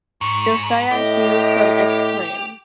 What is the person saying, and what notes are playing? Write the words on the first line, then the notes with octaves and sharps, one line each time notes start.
Josiah Hughes from Exclaim!
G#2 C#6
A2 G4 D#5